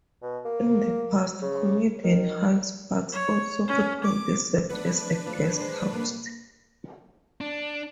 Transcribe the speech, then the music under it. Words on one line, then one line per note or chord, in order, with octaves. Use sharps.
In the past, Comedian Hal Sparks also frequently served as a guest host.
B2
A#3
C#3
D#3
C#5
C#4
D6
A3 B3 D4 B4
A3 C4 F4
G#3 C5
F2 C3 A#3
D4